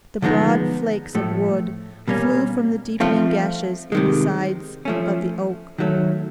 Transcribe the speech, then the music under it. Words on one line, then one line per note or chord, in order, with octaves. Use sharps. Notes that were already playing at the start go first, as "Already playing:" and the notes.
The broad flakes of wood flew from the deepening gashes in the sides of the oak.
D3 F3 G#3 B3 D#4
A2 F3 A3
B2 G3 A#3 C#4
F3 A3 C4 F4
C3 D#3 G#3
F3 A3 C#4
D#3 F#3 A3